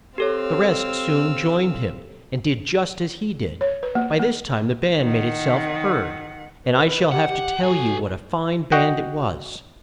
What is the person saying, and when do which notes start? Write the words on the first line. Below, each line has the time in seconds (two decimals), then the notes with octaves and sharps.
The rest soon joined him, and did just as he did. By this time the band made it-self heard, and I shall have to tell you what a fine band it was.
0.18 C4 G4 A4 C#5 F5 E6
3.61 C#5
3.83 B4
3.95 A#3
4.19 A#3
4.98 D#3 F#5
6.65 B4
7.12 G4 F#5
7.28 G4
7.63 F#4 A4 G#5
8.72 F#4 D#5 F#5 G5